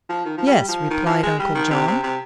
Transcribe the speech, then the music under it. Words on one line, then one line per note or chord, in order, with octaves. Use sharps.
"Yes," replied Uncle John.
F3
D#3
F3
G3
F3
D#3
F3
G#3
G3
D#3
C3
C3
C3